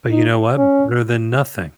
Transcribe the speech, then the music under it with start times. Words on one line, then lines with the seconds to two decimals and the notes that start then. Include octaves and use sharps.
But you know what? Better than nothing.
0.11 D#4
0.57 C#4